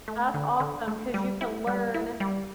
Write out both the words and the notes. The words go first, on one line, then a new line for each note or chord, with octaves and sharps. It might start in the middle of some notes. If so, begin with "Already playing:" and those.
That's awesome, 'cause you can learn
A3
D3
D3
A3
G3
E4
G3
E4
G3